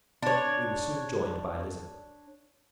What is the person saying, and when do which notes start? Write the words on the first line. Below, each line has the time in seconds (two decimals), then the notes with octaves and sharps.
We were soon joined by Elizabeth.
0.23 D4 C#5